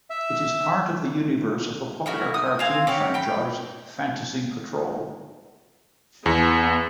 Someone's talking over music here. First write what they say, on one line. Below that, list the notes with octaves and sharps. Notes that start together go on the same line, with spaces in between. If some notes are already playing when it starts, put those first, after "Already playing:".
It is part of the universe of the popular cartoon franchise "Fantasy Patrol".
E5
C#4 E4 F#4
D#6
C4 F5 G#5
C#4 F#4 G4
G5 B5
E2 B3